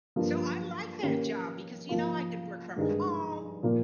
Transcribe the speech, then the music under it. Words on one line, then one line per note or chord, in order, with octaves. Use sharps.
So, I like that job because, you know, I could work from home,
G2 F3 A#3
D#3 A#3 C#4 G4 A#4
F3 A#3 F4
G2 D#3 G#3 D#4 G#4
A#2 F3 A#3